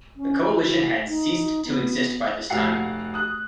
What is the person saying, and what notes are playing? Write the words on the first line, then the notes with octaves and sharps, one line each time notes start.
The coalition had ceased to exist by this time.
C#4
E4
D#4
B3
F1 F#4 F5 F#5 C7
D#6 F#6